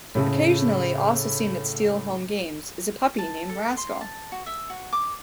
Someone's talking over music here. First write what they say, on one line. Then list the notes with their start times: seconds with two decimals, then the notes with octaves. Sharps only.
Occasionally also seen at Steel home games is a puppy named Rascal.
0.15 A2 C#3 A3
3.19 A5
3.49 A4
3.77 C6
4.01 A5
4.32 F#4
4.46 E5
4.70 F#4
4.93 D6